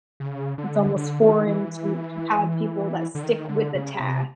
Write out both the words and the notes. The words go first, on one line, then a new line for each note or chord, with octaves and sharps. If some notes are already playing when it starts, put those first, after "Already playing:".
it's almost foreign to to have people that stick with the task.
C#3
D3
D3
D#3
E3
D3
D#3
D3
C#3
C3